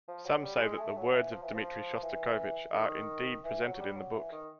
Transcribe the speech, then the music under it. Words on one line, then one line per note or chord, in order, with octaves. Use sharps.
Some say that the words of Dmitri Shostakovich are indeed presented in the book.
F3
F#3
G3
G3
G#3
A3
F#3
E3
F3
E3
F3
E3
D#3
E3
F#3
F#3
G3
F#3
E3
D#3